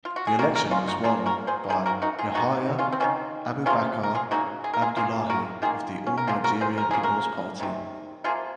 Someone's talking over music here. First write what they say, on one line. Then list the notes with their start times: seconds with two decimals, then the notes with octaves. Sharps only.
The election was won by Yahaya Abubakar Abdullahi of the All Nigeria Peoples Party.
0.05 F4
0.16 F#4
0.27 G#4
0.39 D#3 F#3 A#3 F#4 A#4
0.55 F#4 A#4
0.71 C#4 F4
0.88 D#4 F#4
1.04 C#3 F3 A#3 F4 G#4
1.26 F#4 A#4
1.47 G#4 C5
1.69 D#3 A#3 G#4 C5
1.86 F#4 A#4
2.02 D#4 F#4
2.19 F4 G#4
2.35 D#3 G#3 D#4 F#4
2.79 C#4 F4
2.92 C4
3.00 D#3 F#3 A#3 C#4
3.66 C3 F3 A#3 C#4 F4
4.03 A#4
4.15 F4 G#4
4.31 C#3 F#3 A#3 D#4 F#4
4.64 G#4
4.73 A#4
4.82 F4 G#4
4.97 C#3 F#3 A#3 F4 G#4
5.29 F#4 A#4
5.62 D#3 A#3 F4 G#4
6.06 C#4
6.17 A#4
6.27 C#3 F3 A#3 F4 G#4
6.44 F#4 A#4
6.61 G#4 C5
6.78 A#4
6.91 C#3 F3 A#3 G#4
7.03 F#4 A#4
7.59 C3 D#3 G#3
8.24 C3 F3 A#3 F4 G#4